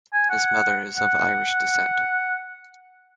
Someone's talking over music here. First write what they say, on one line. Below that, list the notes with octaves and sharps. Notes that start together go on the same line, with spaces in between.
His mother is of Irish descent.
G#5
F#5
F#5